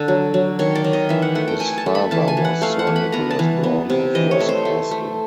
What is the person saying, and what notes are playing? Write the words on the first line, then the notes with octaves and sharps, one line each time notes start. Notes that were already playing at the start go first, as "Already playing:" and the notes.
His father was Sir Nicholas Browne of Ross Castle.
Already playing: D3
F#3
F#3
D#3 C#5
D5
D#3
D#5
E3 E5
F#5
A3 F#5
G5
A3 G#5
A5
A3
B5
E3 A5
G#5
E3
F#5
A3 F5
F#5
E3
B5
B3 A#5
A5
E3
B3
C3
E3 D#5
C#5
A3
C5
A3
A3